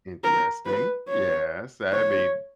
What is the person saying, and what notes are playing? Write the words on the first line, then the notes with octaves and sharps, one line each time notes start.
Interesting. Yes. That'd be
A#4
B4
C#5
C#5